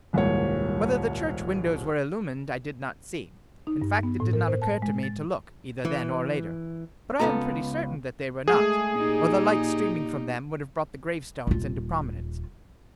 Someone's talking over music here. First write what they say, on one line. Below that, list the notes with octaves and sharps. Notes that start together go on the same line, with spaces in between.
Whether the church windows were illumined I did not see--in fact, it did not occur to me to look, either then or later--but I am pretty certain that they were not, or the light streaming from them would have brought the gravestones into prominence.
D#1 C2 G#2 A#3 C#5
D#4
G2
B3
A2
A#4
C5
A5
G#3
A6
E3
C#2 G#2 B3 A4 A#5
G#3 A3 G#4
A#2 D#4 G4
D#1 F4